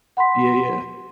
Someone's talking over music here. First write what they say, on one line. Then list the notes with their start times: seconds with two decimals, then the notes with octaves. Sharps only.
Yeah, yeah.
0.17 F#5 B5 C6 B6